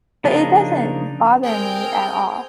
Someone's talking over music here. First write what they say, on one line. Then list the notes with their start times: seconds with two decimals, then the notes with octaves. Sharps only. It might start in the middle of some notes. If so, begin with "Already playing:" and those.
But it doesn't bother me at all.
0.24 C#3 F3 A#3 D4 D#4
1.43 C4 G#4 A#4 G5